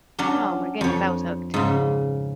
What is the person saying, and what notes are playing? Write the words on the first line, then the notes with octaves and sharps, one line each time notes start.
oh my goodness, I was hooked.
F#3 C#4 D4
F2 C#5
G#2 C#3